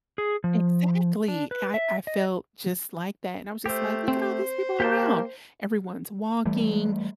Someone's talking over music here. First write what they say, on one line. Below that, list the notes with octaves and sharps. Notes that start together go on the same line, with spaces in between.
Exactly! I I felt just like that and I was just like, "Look at all these people around!" Everyone's walking,
G#4
F3
D4
B4
E5
D#5
A3 G4 C5
C4 C5
A#3 G4 G5 A5
E3 G3 A3